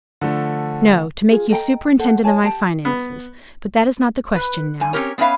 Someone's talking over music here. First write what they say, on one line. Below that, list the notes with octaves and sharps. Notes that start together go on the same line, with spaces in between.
"No; to make you superintendent of my finances; but that is not the question now."
D3 F3 A3
F4 G#4
A4 D#5 G5 A#5
A4 C5 F#5
E4 C#5 G#5 A5
G4 G5 A5
B3
B4
G2 G#5
C4 C#4 G4 A#4 C#5
B3 C#4 B4 E5 F5